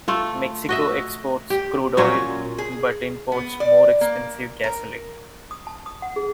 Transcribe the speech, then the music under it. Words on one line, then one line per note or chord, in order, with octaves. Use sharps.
Mexico exports crude oil, but imports more expensive gasoline.
A3 F4
F#4 D#5 E5
G4
A#2 F#3 C#4 F4
G#4
B3
D5
A#3
A#4
D#6
A5
D#6
F#5
G#4